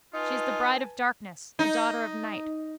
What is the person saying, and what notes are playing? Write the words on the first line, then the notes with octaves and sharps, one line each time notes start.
She is the bride of darkness, a daughter of night.
D#4 F4 B4 G#5 A5
D#4